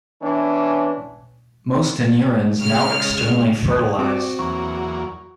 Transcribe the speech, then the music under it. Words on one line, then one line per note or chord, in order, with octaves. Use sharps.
Most anurans now externally fertilize.
E3 B3 C#4 D4
C#3 G#3 F6
C4 F#4 D5
E2 F#3 A#3 C#6